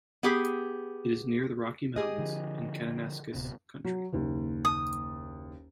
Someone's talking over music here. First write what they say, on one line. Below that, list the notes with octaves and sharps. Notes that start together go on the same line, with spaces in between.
It is near the Rocky Mountains and Kananaskis Country.
B3 G4 G#4
G4 G#4 D#5
D3 F3
D1 C3 B3
F#3
F#1 D#2
D#6